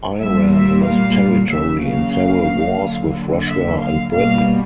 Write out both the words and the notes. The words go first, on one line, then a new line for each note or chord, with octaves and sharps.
Iran lost territory in several wars with Russia and Britain.
A#2 G3 A#3 E5
E5
F5
C#3 F#3 A#3 E5
F5
D3 F#3 A#3
E5
F5
B2 G3 A#3 F5